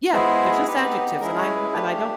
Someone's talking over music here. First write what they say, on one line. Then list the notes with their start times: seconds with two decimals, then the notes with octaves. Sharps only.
Yeah. They're just adjectives, and I wa and I don't
0.13 G#3 B3 E4 G#4 C5
0.67 B3 D#4 G4 B4
1.20 G#3 C#4 E4 G#4 A#4
1.38 C#5
1.55 B4
1.73 A3 D4 G4 B4